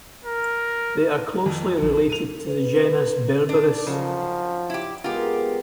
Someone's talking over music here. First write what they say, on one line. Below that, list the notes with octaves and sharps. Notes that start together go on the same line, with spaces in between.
They are closely related to the genus "Berberis".
A#4
F2
A#1
D#7 F7
B4
D4
C#3 F3 F#3 D#4
E4 G4
G#3 B3 F4 G4 A#4